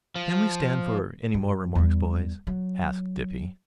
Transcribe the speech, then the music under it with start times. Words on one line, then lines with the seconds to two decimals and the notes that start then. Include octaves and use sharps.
"Can we stand for any more remarks, boys?" asked Dippy.
0.16 F3
1.34 F#2
1.75 E2 G3
2.47 F#3